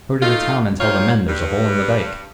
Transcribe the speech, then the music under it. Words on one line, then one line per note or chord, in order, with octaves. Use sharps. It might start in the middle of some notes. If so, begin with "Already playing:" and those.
Go to the town and tell the men there's a hole in the dike.
A3 D#4 F4
D#3 F4 C5 C#5
G2